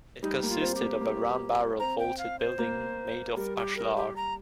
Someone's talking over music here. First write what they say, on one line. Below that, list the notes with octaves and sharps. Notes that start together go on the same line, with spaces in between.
It consisted of a round barrel-vaulted building made of ashlar.
G3 D#4
A#3
F4
C4
G4
A#3
A#3
C4 A#5
G5
F5
C5
A#3
G3 A#4
G4
A#4
G4
A#5